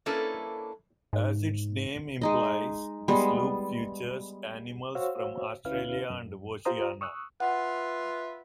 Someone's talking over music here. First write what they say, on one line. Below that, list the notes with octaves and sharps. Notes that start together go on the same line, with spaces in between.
As its name implies, this loop features animals from Australia and Oceania.
A#3 C#4 D4 E4 A4 B4
G#2
G#3 D#4 D#5
G3 G#3 B3
F#4 C5 C#5 F5 E6
D2 C#4 E4 B4 F5 F6
F#2
F4 G4 C5 A#5 D#6
C#6 D#6 E6 F#6
F4 B4 E5 F#5